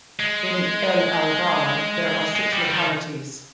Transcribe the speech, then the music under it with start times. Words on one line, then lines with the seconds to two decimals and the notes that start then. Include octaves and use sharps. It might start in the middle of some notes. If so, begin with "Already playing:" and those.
In El Algar there are six localities.
0.20 G#3
2.35 G#3
2.53 G3
2.64 D3
2.71 D#3